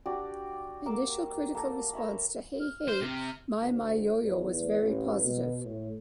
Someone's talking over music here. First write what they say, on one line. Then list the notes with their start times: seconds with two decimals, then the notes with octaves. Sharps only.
Initial critical response to "Hey Hey My My Yo Yo" was very positive.
0.06 D4 F#4 G4 D5
0.86 A#3 D6 E6
1.55 A#3 A4 A#4
1.93 A#4 C#5 E5 B5
2.60 F6
2.89 C5
3.01 C3
3.60 D2
4.23 E2
4.82 A1
5.25 B2
5.65 A2